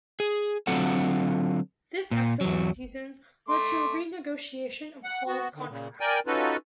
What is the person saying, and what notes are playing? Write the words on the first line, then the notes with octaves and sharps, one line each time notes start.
This excellent season led to a renegotiation of Hall's contract.
G#4
D3 F#3 C4 F4 A4 F#5
A#2
E2 F#3
A3 C6 D6
F#5
B3 F#4
D3 D#3
A#2 C#3
A#4 D5 G5 G#5
C#4 D#4 F4 F#4 A4 B4